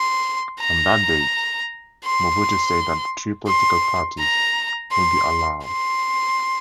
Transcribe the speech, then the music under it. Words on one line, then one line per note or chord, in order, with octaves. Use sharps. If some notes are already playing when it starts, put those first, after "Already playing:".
On that date, Mobutu said that three political parties would be allowed.
Already playing: C6
A#5
C6
C6
A#5
C6
C6